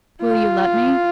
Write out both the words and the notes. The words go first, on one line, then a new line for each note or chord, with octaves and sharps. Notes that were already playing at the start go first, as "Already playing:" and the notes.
"Will you let me?"
F4